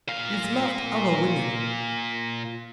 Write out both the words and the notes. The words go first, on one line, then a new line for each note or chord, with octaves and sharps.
You've loved other women.
A#2 F5